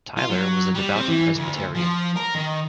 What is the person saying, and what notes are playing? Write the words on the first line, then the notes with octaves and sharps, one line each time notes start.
Tyler was a devout Presbyterian.
F4
F#3
G3
C4
E3
D2
F3
A#4
D#3